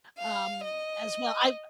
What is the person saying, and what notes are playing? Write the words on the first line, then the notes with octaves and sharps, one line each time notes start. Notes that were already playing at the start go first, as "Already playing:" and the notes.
um, as well, I've
F5
D#5